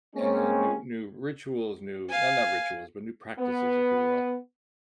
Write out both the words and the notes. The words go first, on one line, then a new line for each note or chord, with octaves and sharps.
and new new rituals, new no, not rituals, but new practices, if you will,
G#3 A#3 C4 C#4
F5 G#5
B3